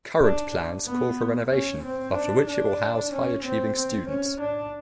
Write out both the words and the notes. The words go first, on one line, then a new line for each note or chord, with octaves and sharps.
Current plans call for renovation after which it will house high achieving students.
D4
B3
C#4
C4
D4
D4
C#4
C4
C4
C#4
D4